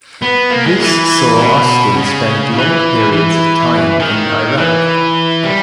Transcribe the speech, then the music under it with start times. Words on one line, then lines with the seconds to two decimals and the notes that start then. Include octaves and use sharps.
This saw Austin spend long periods of time in Iraq.
0.22 B3
0.51 A#3
0.66 G#3
0.80 E3
1.39 B2
1.96 C#3
2.54 E3
3.12 E3
3.99 D#3
4.57 E3
5.44 G3